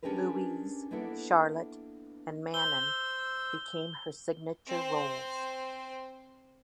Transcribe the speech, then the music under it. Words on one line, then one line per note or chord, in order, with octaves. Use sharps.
Louise, Charlotte and Manon became her signature roles.
C#4 D4 G4 G#4 A#4 B4
A#3 B3 D4 E4 A4
C5 E6 G7
C4 C5